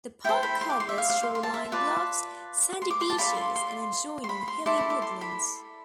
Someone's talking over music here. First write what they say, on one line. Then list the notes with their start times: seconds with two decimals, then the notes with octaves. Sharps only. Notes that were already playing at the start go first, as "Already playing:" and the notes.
The park covers shoreline bluffs, sandy beaches and adjoining hilly woodlands.
0.24 E4 A4 C5 G5
0.43 B5
0.61 C6
0.70 D6
0.80 C6
0.89 E5
0.98 F5
1.10 F5
1.23 C6
1.35 C6
1.43 A5
1.54 E5
1.72 F4 B4 D5 A5
2.82 C6
2.90 D6
3.01 C6
3.10 A5
3.18 F4 A4 D5 B5
3.36 C6
3.56 C6
4.24 C6
4.29 B5
4.48 C6
4.66 E4 A4 D5 C6
4.78 B5
4.90 D6
5.02 C6
5.21 B5